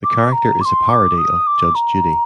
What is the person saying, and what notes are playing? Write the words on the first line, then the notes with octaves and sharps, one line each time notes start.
The character is a parody of "Judge Judy".
D6
A#5
D6
C6
D6
D#6
D6
A#5